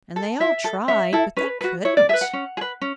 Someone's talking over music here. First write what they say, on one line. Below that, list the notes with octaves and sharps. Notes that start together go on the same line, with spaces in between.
And they all tried, but they couldn't.
A4
E4 E5
A4
C#4 E5
E4 A4
C#4 B4
F#4 B4
E4 C#5
D5
G#4 E5
B4
F#5
C#4
G#4
B4
C#4